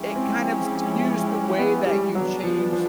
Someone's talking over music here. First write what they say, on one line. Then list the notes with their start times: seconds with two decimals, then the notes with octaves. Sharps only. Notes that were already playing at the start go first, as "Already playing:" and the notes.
it kind of skews the way that you change,
Already playing: F3 G#3 C#4 E4 G4
0.16 C4
1.58 B3
1.86 G3
2.15 C#3 E3 F#3 G3 B3 D4
2.44 F3
2.72 F3